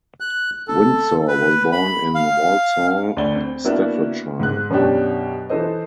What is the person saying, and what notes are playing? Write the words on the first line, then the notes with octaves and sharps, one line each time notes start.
Windsor was born in Walsall, Staffordshire.
F#6
A4
B4
B5
F5
D2 D5 B5 G7
C4
A#3 B3 D4 E4 F#4
G#2 F#6
F#2 B2 F#3 C#4 D4 G4
E3 D#4 A4 C5 D#5